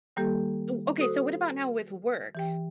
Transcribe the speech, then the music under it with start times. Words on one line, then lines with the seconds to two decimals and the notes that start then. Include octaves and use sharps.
ooh, okay, so what about now with work?
0.16 D#3 G3 A#3 G4 A4
0.98 F#4 A4 C5 D#6
2.35 E3 G4 G5